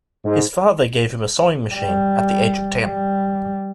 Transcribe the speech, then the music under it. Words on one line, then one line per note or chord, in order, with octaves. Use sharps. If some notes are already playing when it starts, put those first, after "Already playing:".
His father gave him a sewing machine at the age of ten.
G#2
G3
G3